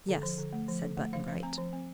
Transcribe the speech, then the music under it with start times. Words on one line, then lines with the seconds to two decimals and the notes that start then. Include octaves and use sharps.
"Yes," said Button-Bright.
0.09 D3
0.23 F3
0.38 D3
0.53 A3
0.68 F3
0.82 D3
0.97 A3
1.13 F3 F5
1.28 F3 F5
1.43 C4 A#5
1.58 F3
1.73 C4